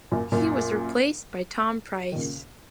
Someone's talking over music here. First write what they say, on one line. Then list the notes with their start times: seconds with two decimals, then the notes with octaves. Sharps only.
He was replaced by Tom Pryce.
0.11 F#2 A#2
0.32 F#2 A#2
2.12 D#3
2.15 A#2 C#3